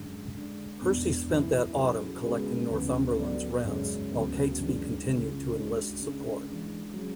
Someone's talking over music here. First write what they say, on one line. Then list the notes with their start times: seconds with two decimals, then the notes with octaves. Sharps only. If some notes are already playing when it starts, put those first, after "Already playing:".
Percy spent that Autumn collecting Northumberland's rents, while Catesby continued to enlist support.
Already playing: F#2 D3 G#3
0.34 D3 G#3 D4
0.81 E2 B2 G#3 B3 D4
1.28 F#2 E3 B3 E4
1.76 F#3 A3 C#4 G#4 B4
2.23 C#3 G#3 B3 F#4 B4
2.70 D2 C#3 E3 B3
3.18 F#3 B3 F#4 A4 D5
3.64 F#2 C#3 G#3 C#4
4.11 D2 C#3 F#3 B3
4.58 F#2 E3 G#3 D4 G#4
5.05 C#2 C#3 G#3 C#4
5.52 G#3 D4 F#4
6.00 C#3 G#3 D4
6.47 E3 G#3 D4
6.94 F#3 C#4 G#4